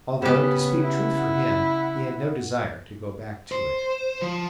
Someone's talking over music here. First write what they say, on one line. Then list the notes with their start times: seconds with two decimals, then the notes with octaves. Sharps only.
Although, to speak truth for him, he had no desire to go back to it.
0.22 C#3 B3 G4 F#5
0.82 E4
3.52 C5
4.22 F3